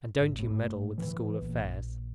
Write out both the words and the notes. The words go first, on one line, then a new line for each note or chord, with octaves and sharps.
And don't you meddle with school affairs.
G#1
A2
E3
A#1